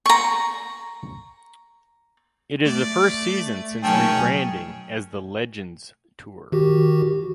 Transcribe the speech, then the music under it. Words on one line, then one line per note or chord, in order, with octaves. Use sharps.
It is the first season since rebranding as the Legends Tour.
A#5 C#6
A3 D5
B2 D#3 F#3 C#4 G#4 G5 A5
D#3 F#4 G4